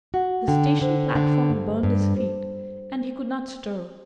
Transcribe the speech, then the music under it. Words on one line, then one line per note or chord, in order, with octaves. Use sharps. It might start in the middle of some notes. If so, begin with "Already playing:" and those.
The station platform burned his feet, and he could not stir.
F#4 F#5
D3 G5
D3 C5
D3
G2
G2
C5